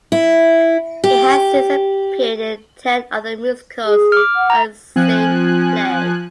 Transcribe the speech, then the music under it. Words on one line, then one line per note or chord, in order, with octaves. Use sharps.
He has since appeared in ten other musicals and cinq plays.
E4
G4
G#4
D6 F6
F#5
A#5
F3 C4 G#5 F#6